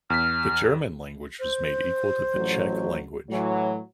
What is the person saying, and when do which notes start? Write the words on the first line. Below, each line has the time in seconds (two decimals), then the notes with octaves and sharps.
The German language was made equal to the Czech language.
0.10 E2 F6 B6
1.40 C5
2.34 A1 F2 F#3
3.30 A2 E3 F#3